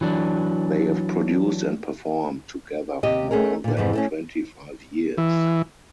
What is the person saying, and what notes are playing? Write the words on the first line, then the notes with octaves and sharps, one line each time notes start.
They have produced and performed together for more than twenty five years.
E3 F#3 D4
D#2 C3 G4 D#5
A3 C#4 G#4 A#4
A#2 D3
F2 G#2 C3 E3
A3 C4 C#4
E3